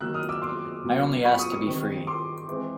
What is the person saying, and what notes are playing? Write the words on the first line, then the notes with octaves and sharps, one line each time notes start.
I only ask to be free.
D#3 F#3 A#3 E6 F#6
D#6 F6
D6 E6
C6 D6
B2 F#3 A#3
B5 C#6
C#6 D#6
C#6 D#6
D#3 G3 C4
C6 D6
E3 G#3 C4